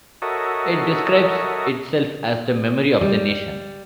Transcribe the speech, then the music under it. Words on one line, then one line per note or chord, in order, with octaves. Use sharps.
It describes itself as the memory of the nation.
F#4 A4 A#4 C#5 D#5 E5
G3